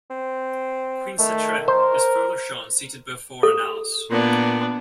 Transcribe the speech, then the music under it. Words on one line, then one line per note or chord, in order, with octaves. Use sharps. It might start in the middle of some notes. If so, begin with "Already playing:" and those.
Queen Sitre is further shown seated before a naos.
C4
D#3 A3
A#4 C5
A4
A#2 B3 D4